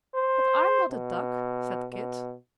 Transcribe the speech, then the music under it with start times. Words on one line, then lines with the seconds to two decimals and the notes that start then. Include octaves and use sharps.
"But I'm not a duck," said Kit.
0.15 C5
0.91 B2
1.92 B2